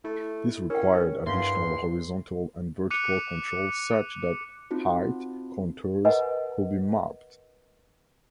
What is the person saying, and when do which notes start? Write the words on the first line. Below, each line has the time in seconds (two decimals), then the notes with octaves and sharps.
This required additional horizontal and vertical control such that height contours could be mapped.
0.04 A3 E4
0.70 C#4 A#4 G5
1.26 E2 G2 E5 F5 C6
2.90 D6 F#6 C#7 D#7 F7
4.71 C4 D#4 F4 F#4
6.05 A#4 B4 D#5 F#5 G#5